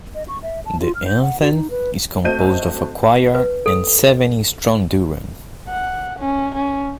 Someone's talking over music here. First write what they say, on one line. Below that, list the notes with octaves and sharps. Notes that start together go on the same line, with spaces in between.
The anthem is composed of a choir and seven stroonduran.
D#5
C#6
E5
A5
F4
F6
G6
F#5
F#4
D#4
B4
A3 C4 F#4 D#5 G6 D#7
B4
A4
F#5
C#4
C#4